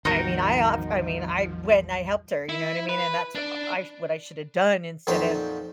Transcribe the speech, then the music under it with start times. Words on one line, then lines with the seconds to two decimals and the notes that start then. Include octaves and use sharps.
I mean, I off I mean, I went, and I helped her, you know what I mean, and that's uh I what I should have done instead of
0.05 A1 E2 D#3 F3 G3 D#4 F#4 A#4
2.49 E4
2.89 B4
3.35 D4
5.07 F2 A#2 F#3 D#4 C5 G5